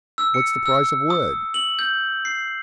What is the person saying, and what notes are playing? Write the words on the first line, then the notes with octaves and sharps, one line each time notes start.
"What's the price of wood?"
E6
C#7
E6
D#6
F#7
G6
C7